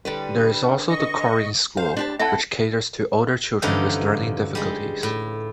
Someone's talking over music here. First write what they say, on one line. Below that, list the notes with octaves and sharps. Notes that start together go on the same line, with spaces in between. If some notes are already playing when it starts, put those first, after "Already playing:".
There is also the Coreen School, which caters to older children with learning difficulties.
D3 G3 G4 B4
D#5 C#6
C5 F5
D4 G4 A5
C4 E4 A4 E5 F#5 A5
G2 D3 E3 F3 C#4 D#4
G3 G#3
A2